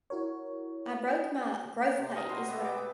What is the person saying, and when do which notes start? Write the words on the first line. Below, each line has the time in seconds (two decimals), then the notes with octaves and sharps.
I broke my growth plate, is what I
0.10 E4 F#4 A#4 C#5
1.98 C3
2.14 A#4 D#5 G5
2.29 B2 F#3 A#5 C6
2.48 B3 D5 E5
2.64 G5 D6
2.78 B3